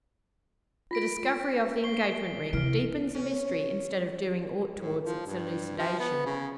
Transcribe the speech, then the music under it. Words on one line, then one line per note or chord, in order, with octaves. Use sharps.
The discovery of the engagement ring deepens the mystery instead of doing aught towards its elucidation.
F4 A#6 B6 D7
C#6 C7 G7
C3 E3 F6 D7
C#4
A2
F3
G2
F3
B3
C#3